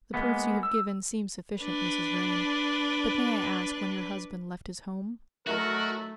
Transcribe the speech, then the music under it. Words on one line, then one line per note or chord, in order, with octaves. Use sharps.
"The proofs you have given seem sufficient, Mrs. Vrain, but may I ask when your husband left his home?"
G#3 A#3 B3
E6
D4 B4
F#3 A3 D#4 E4 F#4 A#4